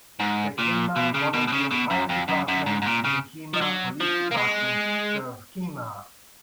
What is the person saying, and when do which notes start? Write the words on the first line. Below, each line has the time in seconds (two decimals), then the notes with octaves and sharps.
The Kemah Volunteer Fire Department and the Kemah Police Department serve Kemah.
0.20 G#2
0.58 A#2
0.96 B2
1.15 C#3
1.34 B2
1.48 B2
1.53 C#3
1.71 B2
1.91 F#2
2.10 F2
2.29 F#2
2.48 F#2
2.66 G#2
2.82 G#2
2.86 A#2
3.05 C#3
3.54 F3
3.61 F#3
4.01 F3
4.32 A#3
4.37 G#3